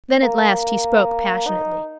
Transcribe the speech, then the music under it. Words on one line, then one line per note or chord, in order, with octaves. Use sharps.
Then at last he spoke passionately.
A#3
D#4